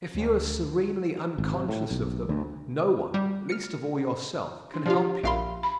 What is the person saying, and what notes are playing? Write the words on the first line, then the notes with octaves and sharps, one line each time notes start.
If you are serenely unconscious of them, no one--least of all yourself--can help you.
D2
G#1
C3
A2
B1
D2
G3
F6 C#7
D4
F3 F4 G4 D5
A#1 E5 F5 B5 C6
B5